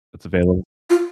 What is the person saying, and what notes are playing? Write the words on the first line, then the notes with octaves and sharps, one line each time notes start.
that’s available.
F4